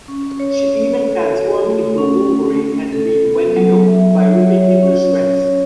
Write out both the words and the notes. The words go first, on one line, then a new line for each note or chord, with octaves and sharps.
She even transformed into a wolverine and beat Wendigo by ripping him to shreds.
C#4
C#5
C#5
A4
F#4
A3
C#4
C#4
C#4
A4
B3
F#3
E5
C#5
C#5
C#4
C#5
C#5